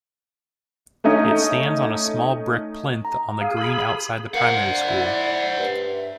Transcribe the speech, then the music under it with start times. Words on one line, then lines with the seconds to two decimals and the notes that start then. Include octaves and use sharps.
It stands on a small brick plinth on the green outside the primary school.
1.04 A3 C#4 D#4
3.05 A#5
3.41 G#4 F5
3.57 G#4 B5
4.34 A#4 C5 F5 F#5
4.57 D4 D5
4.87 E4
5.58 G2
5.88 E5